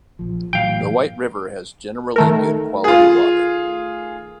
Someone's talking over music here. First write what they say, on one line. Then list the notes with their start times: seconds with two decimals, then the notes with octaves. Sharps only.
The White River has generally good-quality water.
0.19 A#1 F3
0.53 A2 E3 F#3 F5 G5
2.16 D#3 A3 A#4
2.84 F4 G#4